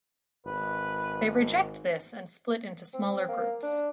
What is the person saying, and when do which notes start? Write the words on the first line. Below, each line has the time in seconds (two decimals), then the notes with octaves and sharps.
They reject this and split into smaller groups.
0.46 G#1 B4
2.94 C4
3.29 A#3
3.63 D4